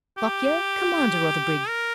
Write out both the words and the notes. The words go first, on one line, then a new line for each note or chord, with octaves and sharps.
Lockyer, commander of the brig.
G4
A#4